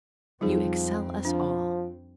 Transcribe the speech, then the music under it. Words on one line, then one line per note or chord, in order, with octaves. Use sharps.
"You excel us all."
F2 F3 G3 C4 D#4 G#4
F3 D4